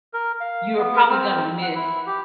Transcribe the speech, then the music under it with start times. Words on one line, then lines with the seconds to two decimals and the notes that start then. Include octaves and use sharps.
you're probably gonna miss
0.13 A#4
0.40 F5
0.77 B3
0.96 A#4
1.10 C4
1.62 F#5
1.75 E4
2.07 G4